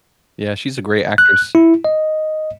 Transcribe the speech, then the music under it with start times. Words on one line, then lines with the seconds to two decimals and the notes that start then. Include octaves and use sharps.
Yeah, she's a great actress.
1.18 F#6
1.55 E4
1.85 D#5